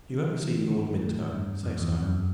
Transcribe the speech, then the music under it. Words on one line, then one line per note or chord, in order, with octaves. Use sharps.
If you ever see Lord Minto, say so.
D3
D3
E3
D#3
D3
D#3
A2
G2
F2
E2
F2
F#2